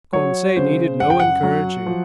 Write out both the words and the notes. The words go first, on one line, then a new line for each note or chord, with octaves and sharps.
Conseil needed no encouraging.
F#3 C#5
C#3 C5
F#2 F#5
G5
F#5
F#3
F3